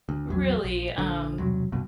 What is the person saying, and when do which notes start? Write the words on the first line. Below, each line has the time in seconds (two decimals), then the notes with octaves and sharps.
really, um,
0.09 D2
0.29 A#1 E2 F#3
0.64 A#1
0.98 A#1 D3
1.39 E1 C2 F#3
1.72 C2 G2 B2